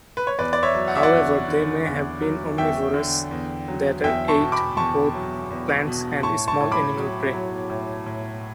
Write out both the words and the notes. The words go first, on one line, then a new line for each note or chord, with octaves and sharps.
However, they may have been omnivores that ate both plants and small animal prey.
B4
C#5
E2 B4 D5
D5
C#5 E5
F#3
F#5
E5
D5 F#5
E2
D3
E2
F#3
E2 E5 G5
D3
E2
F#3
E2 E5 G5
A5 C#6
B2
B5 D6
E2 A5 C#6
F#3
E2
B2
A2 A5 C#6
A5 C#6
A2
B5 D6
F#3
F#3
A2
A2